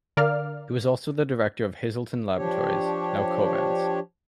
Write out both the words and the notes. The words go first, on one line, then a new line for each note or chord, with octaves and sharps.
He was also the director of Hazelton Laboratories, now Covance.
D3 A#4 D5 F5 D6 F6
F3 D4 G4 C#5